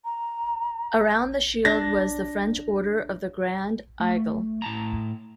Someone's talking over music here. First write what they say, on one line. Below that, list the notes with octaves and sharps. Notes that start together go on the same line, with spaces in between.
Around the shield was the French Order of the Grand Aigle.
A#5
D4 A#6
A3
A2 A5 A#5